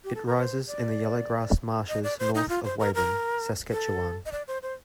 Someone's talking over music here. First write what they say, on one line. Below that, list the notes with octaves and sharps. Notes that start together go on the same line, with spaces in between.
It rises in the Yellow Grass Marshes north of Weyburn, Saskatchewan.
G4
A4
A#4
C5
D5
D#5
D5
C5
D#4
F4
C5
A#4
A#4
A4
D#5
D5
C5
C5